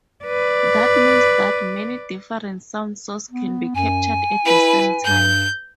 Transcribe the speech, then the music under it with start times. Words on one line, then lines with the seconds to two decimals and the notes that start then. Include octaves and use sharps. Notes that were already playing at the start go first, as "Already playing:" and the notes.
That means that many different sound sources can be captured at the same time.
0.24 B4 D5
3.31 B3
3.75 F#2 G#5
4.45 E4 B4
5.05 G2 G6